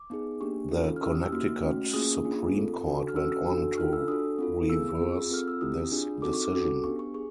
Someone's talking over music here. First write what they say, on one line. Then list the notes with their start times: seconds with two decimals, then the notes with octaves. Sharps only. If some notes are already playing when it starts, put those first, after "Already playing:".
The Connecticut Supreme Court went on to reverse this decision.
Already playing: D6
0.10 B3 D#4 G#4
0.41 A#3 D4 G4 C#6
0.71 C#4 F4 A4
0.96 F6
1.02 C#4 E4 G4 E6
1.12 D#6
1.24 E6
1.32 A#3 D#4 F#4 F6
1.63 A3 C#4 F#4
1.94 A#3 C#4 F4 G#4 D#6
2.24 A#3 D4 F4 G#4
2.55 C4 F4 A4
2.86 D4 F#4 A4
3.08 F6
3.16 C#4 F#4 A4 E6
3.47 D4 F#4 A4
3.77 D4 F4 A4 F6
3.93 E6
4.08 D4 F#4 A4 D#6
4.39 C4 F4 A4
4.69 B3 E4 G#4 E6
5.00 C4 F4 G#4
5.31 C4 F4 A4 F6
5.48 E6
5.61 C4 E4 G4 D#6
5.92 D4 F4 G#4
6.22 C4 D#4 F#4 A4 D6
6.34 C#6
6.46 D6
6.53 C#4 F#4 A4
6.84 B3 D4 G4 C#6
6.99 C#6
7.14 G#4 C#6